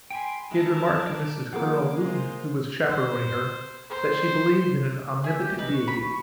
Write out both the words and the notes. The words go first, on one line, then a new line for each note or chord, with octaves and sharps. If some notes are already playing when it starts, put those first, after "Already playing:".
She had remarked to Mrs Colonel Luton, who was chaperoning her, that she believed in an Omnipotent Deity.
G5 G#5 B5 C6
G#3 E4 A#4 A5
D5
F3 A#3 F4 G#4 F#5 D6
G#3 F4 C5
C5
C5
G#4 E5
G4
B4 D#5
C#6
B5
C#6